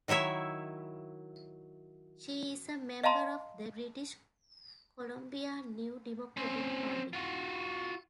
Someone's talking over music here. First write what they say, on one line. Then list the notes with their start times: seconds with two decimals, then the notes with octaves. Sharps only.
She is a member of the British Columbia New Democratic Party.
0.08 D#3 F#3 E4 C#5 E5
3.04 D#5 F5 A5 A#5 C6
6.37 C4 C#4
7.13 F4 F#4